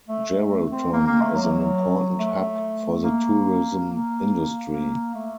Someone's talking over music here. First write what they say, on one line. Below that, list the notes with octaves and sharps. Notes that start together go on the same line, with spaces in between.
Geraldton is an important hub for the tourism industry.
A3
C4
A#3
A#3
A3
F#3
A3
A#3
A#3
A#3
A3